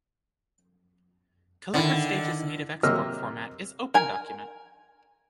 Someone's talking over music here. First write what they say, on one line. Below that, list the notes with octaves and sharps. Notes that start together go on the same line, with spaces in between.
Calligra Stage's native export format is OpenDocument.
D3 D#3 E4 A6
C3 F#3 A#3 D#5 E6 F6
A#4 G#5